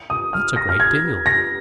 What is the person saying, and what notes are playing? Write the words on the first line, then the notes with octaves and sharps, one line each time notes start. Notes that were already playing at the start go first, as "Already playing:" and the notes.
"That's a great deal."
D#6
F6
A#6
F6
G#6
A#6